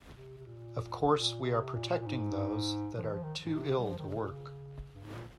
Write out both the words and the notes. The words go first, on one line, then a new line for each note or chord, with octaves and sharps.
Of course we are protecting those that are 'too ill to work'.
C3
C3
A#2
A#2
C3
A#2
A#2
A#2
G#2
F3
D#3
F3
D#3
G#2
C3
C#3
G3
F3
D#3
C#3
A#2
C#3
G2
G#2
A#2